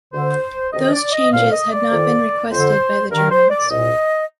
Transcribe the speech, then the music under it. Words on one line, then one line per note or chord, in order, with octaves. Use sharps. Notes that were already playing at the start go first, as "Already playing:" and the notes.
Those changes had not been requested by the Germans.
D2 D3 C5
D2 C3 D#3 D#5
D5
D#5
C2 A#2 F5
D#5
D5
F2 D#3
F2 D3 C5
G2 D#3 A#4
C5
D5
C2 A#2 D#5